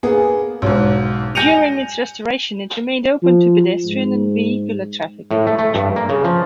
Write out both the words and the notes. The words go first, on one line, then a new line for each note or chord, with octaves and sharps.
During its restoration it remained open to pedestrian and vehicular traffic.
A#3 B3 G#4
B1 G#2
G#5 G6 A#6 C#7 D#7 F7
F3
G#2
A2
A3
A3
G2
A#3
C#3
F3